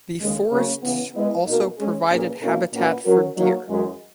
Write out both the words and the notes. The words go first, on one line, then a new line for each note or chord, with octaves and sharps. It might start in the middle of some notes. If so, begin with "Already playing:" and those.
The forests also provided habitat for deer.
D#2 C#3 G#3
C#3 F#3 A#3
C#3 E3 B3
G#3 B3 E4 B4 D#5
B2 A#3 D#4 A#4
G#3 C#4 G#4
A#2 A#3 C#4 G#4 B4
B2 A#3 C#4 E4 A#4
A#2 A#3 C#4 F#4 B4
F#3 C#4 F#4 A#4
F#3 A#3 D#4 A#4 C#5
F#2 E3 G#3